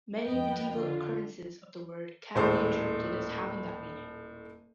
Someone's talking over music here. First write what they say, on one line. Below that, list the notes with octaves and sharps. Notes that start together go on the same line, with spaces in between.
Many medieval occurrences of the word can be interpreted as having that meaning.
F2 G#2 B3 D#5 G5
D3 F4
D#1 A2 G#3 C5 C6